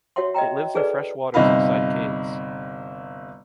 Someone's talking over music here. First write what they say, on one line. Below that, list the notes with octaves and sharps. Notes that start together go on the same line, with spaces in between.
It lives in fresh waters inside caves.
F#4 C#5 E5 F#5 C6
D#5 E5 G5 A#5
D#4 G#4 A4 B4 D5
G1 C3 D#4 D#5 F5 B5